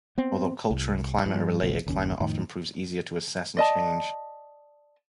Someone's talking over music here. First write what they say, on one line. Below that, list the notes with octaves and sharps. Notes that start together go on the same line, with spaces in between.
Although culture and climate are related, climate often proves easier to assess and change.
B3 C4
C2
G2 F3
G#1 C#2 B2 F3
F#1 D#2 C#4
F2 A2 D#3
D5 D#5 A5